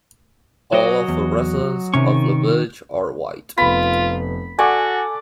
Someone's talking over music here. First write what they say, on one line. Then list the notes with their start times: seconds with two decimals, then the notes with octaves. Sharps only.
All of the residents of the village are White.
0.73 F#3 F#4 C5 D5 D#5
1.08 E2
1.94 C3 D#3 C#4 C#6
3.58 F1 B3 F4 B5
4.59 F#4 A4 D5 F#5 G#5 C#6